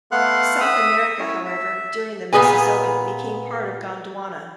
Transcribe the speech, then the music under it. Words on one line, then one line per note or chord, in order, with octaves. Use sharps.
South America however, during the Mesozoic became part of Gondwana.
A3 B3 F5 F#5 C6 F#6
E5 D#6
C#4 E4 C#5
E5
A#2 B3 G#4 B4 G#5